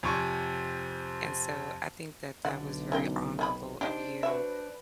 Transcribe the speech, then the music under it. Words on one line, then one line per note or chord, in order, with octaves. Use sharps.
And so, I think that that was very honorable of you,
F2 C3 C#5 G#5 C#6
B1 D3 F#5
C#4 A#4 G5
D#3 G#4 B5
D4 D#4 G4 C5
F#4 B4 E5